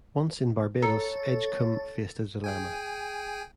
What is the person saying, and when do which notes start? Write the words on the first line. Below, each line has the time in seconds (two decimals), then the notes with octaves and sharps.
Once in Barbados Edgecombe faced a dilemma.
0.82 A4 C#5 A#5
2.44 G#4 G5 G#5